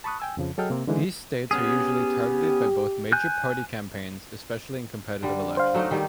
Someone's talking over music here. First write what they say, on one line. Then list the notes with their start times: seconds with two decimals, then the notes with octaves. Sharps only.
These states are usually targeted by both major-party campaigns, especially in competitive elections.
0.04 A5 B5 C#6 D#6 F#6
0.20 G5 G#5 E6
0.37 F2 C#3 F3
0.58 F#3 G#4 A4 D#5 G5 F6
0.70 C3 A#3 C4
0.87 D3 E3 G#3 D#4
1.51 B3 C#4 G4 G#4
3.12 G#5 F#6 G6
5.23 D3 G3
5.57 C5 F5
5.74 F#3 A3 D#4
5.91 D#3 G3